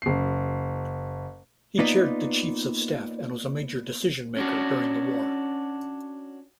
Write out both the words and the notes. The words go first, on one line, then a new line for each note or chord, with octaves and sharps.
He chaired the Chiefs of Staff and was a major decision-maker during the war.
F#1 C7
A#3 B3 D#4 F4 B4 D5
C#4 D4 F#4